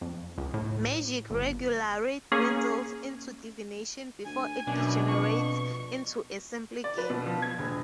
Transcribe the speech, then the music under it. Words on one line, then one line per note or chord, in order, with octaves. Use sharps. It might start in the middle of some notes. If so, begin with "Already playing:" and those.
Magic regularly dwindles into divination before it degenerates into a simple game.
F2
C#2
A2
G1
A#3 C#4 G#4
D2 G#5
F#2 B2 D4
F2 C#6
D5
B4
B2
F3
G#6
E1